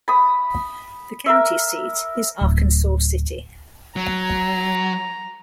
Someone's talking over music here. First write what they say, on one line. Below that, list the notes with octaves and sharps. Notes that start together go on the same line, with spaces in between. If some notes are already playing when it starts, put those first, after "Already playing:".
The county seat is Arkansas City.
B5 D#6
A#4 E5
D1
F#3 A#5